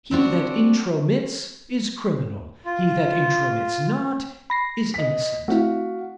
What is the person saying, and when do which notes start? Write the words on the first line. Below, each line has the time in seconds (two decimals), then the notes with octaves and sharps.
He that intromits, is criminal; he that intromits not, is innocent.
0.11 C4 D4 F4 F#4
2.65 F4
4.50 B5 A#6 C7
4.94 D#5 B6
5.48 A3 C4 E4 F#4 F5